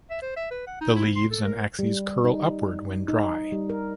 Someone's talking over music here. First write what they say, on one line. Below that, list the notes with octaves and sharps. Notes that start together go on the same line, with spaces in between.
The leaves and axes curl upward when dry.
E5
C5
E5
B4
F#5
D#4
E4
C6
A4
A#4
G3
D#4
D#4
G3
A#4